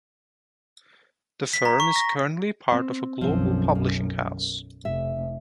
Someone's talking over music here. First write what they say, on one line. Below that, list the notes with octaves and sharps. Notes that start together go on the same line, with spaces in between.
The firm is currently part of a global publishing house.
B6
A#5
C#6
A#6
C4
B1 F#2 F3 C4
A#3
F1 E5